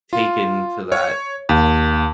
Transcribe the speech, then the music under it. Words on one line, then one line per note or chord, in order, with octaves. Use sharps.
take into that
F4
C#5
D#2